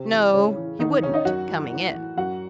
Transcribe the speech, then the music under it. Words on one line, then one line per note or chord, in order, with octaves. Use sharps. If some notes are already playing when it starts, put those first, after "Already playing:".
"No, he wouldn't, coming in."
Already playing: C3 C4
E3
A2 C#3 C#4
E3
E2 D#3 D#4
D#3 C#4 C#5
D#4 D#5
F#2 F#4 F#5
E3
A2
E3
F#2 F#4 F#5